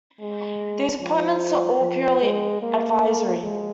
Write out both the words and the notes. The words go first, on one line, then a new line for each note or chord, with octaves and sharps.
These appointments are all purely advisory.
G#3
F3
F3
G#3
A#3
G#3